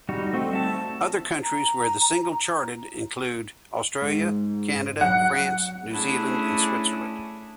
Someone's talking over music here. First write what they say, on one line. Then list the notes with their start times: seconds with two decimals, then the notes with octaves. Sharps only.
Other countries where the single charted include Australia, Canada, France, New Zealand and Switzerland.
0.09 G3 D#4 F#4
0.33 A3 C4 F#4
0.53 E5 A5
1.43 A#5
4.02 G#2
5.01 F#3 F#5
5.92 A3 C#4 D4 E4 G#4